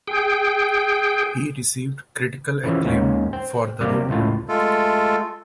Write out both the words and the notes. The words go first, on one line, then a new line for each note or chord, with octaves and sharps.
He received critical acclaim for the role.
G#4 G5
C#3 E3 F3
D#2 G#2 C#4
C5 G5
C3 G3 A#3 G4 D5
C#2 A2 F4
G#3 A3 F4 A4